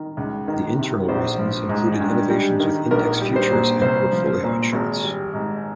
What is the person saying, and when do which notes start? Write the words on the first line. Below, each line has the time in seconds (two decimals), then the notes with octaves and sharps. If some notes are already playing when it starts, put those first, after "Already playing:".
The internal reasons included innovations with index futures and portfolio insurance.
Already playing: D#3
0.17 C#2
0.48 D#3
0.78 C3
1.08 A#1 C5
1.39 F3
1.69 G#2
2.00 G2
2.30 G3
2.60 D#3
2.91 A#1 A#4
3.21 G3
3.36 C5
3.51 A#2
3.81 C2 C5
4.12 F3
4.43 A#2
4.73 G#1
5.03 G3
5.34 G#2